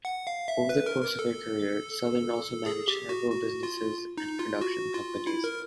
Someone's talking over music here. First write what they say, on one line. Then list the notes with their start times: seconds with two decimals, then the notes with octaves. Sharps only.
Over the course of her career, Sothern also managed several businesses and production companies.
0.05 F#5
0.27 F5
0.48 E5
0.69 B4
0.86 A#4
1.02 A#4
1.19 A4
2.66 G#4
2.88 G4
3.09 F#4
3.31 F#4
3.63 F4
4.17 D#4
4.39 F4
4.61 F#4
4.94 F4
5.27 E4
5.44 A#4